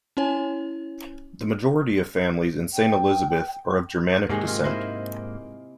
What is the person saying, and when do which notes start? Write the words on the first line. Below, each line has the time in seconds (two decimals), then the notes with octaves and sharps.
The majority of families in Saint Elizabeth are of Germanic descent.
0.17 C#4 E4 C#5 G#5
2.73 G5
4.29 G#2 C3 D#3 G#3 A#3
4.47 F4
4.64 E4 C5 D#5